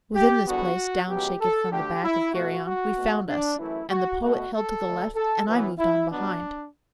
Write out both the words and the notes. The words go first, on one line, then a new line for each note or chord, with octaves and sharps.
Within this place, down shaken from the back Of Geryon, we found us; and the Poet Held to the left, and I moved on behind.
G4
E2 D3 G3 B3 F#4
C#2 B2 F#3 B3 G4
A4
D2 D3 A3 G4
E4
B2 A3 F#4
F#4
B2 A3
D4
F#2 E3 A3 E4
F#4
B2 A3 F#4
A4
D2 D3 A3
A4
F#2 E3 B3
E4
B2 F#3 B3 D4